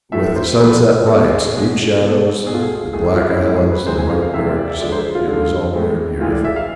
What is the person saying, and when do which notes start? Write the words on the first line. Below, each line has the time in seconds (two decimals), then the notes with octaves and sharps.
With the sunset lights, deep shadows, the black islands and white bergs it was all very beautiful.
0.12 A2 F3 A3 E5
0.36 C5
0.59 A2 F3 A3 B4
1.07 B2 G#3 A4
1.29 G#4
1.54 B2 G#3
2.00 B2 A3
2.46 B2 A3 G#4
2.54 F4
2.63 G#4
2.93 A2 G#3 G#4
3.04 G#4
3.16 F4
3.29 E4
3.41 A2 G#3 E4
3.55 G#4
3.71 B4
3.86 C3 E3 G#3 C5
3.99 G#5
4.10 F5
4.22 F5
4.33 C3 E3 G#3 E5
4.46 D5
4.56 D5
4.69 E5
4.80 D3 F3 G#3 D5
4.92 C5
5.15 F4
5.27 D3 F3 G#3
5.73 A2 E3 G#3
6.20 A2 E3 G#3 F4
6.32 D5
6.45 E5
6.56 F5